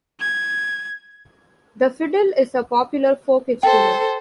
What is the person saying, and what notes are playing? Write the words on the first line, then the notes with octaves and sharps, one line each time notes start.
The fiddle is a popular folk instrument.
G#6
A4 C5 G5